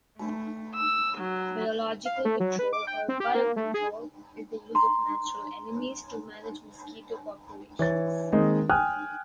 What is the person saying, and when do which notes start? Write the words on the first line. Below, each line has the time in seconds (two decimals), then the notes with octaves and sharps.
Biological control or "biocontrol" is the use of natural enemies to manage mosquito populations.
0.17 A3
0.75 E6
1.19 F#3
2.05 F5
2.25 A3
2.40 F#3
2.59 B4
2.73 D6
2.87 G5
3.08 C4
3.20 G4
3.35 A#3
3.56 A3
3.74 G#4
4.75 A#5 C6
7.79 E3 C#5 A6
8.32 D#3 G#3 A#3 C4 D#4
8.70 G5 G#5 D#6 F6 F#6